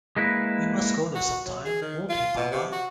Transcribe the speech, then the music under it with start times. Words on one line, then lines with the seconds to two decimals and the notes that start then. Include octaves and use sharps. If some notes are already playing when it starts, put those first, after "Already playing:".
We must go there some time, won't we, papa?'
0.17 G#3 A#3 E4 B4
1.15 F#4
1.45 F#3
1.65 G#4
1.82 D#3
2.09 F4
2.37 B2
2.51 C3
2.72 F#4